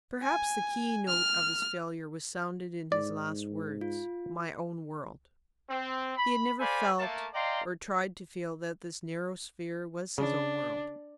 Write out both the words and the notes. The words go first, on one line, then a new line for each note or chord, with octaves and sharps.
Perhaps the keynote of his failure was sounded in his last words, "my own world." He had never felt, or tried to feel, that this narrow sphere was his own world.
G#5
F6
G#2 D5
F4
C4
B5
A4 C5 D5 F5 G#5 B5
A3 A#3 A5
D5 D#5 F5 G5 A#5 C6
C#3 D4